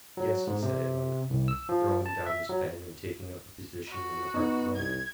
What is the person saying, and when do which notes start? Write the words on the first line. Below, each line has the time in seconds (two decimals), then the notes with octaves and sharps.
"Yes," he said at length, throwing down his pen and taking up a position on the hearth-rug.
0.17 F#3
0.47 G#2
0.62 C3
1.30 C2
1.48 E6
1.69 F3
2.06 A5
2.26 E5
2.49 F#3
3.87 F#4
4.34 B3 D#4
4.75 C2 G#6